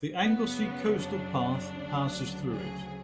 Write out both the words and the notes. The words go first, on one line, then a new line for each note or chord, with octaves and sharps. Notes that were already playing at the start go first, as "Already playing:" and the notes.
The Anglesey Coastal Path passes through it.
F#2 C#3 F#3 B3
D4
D2 C#3 F#3
G#4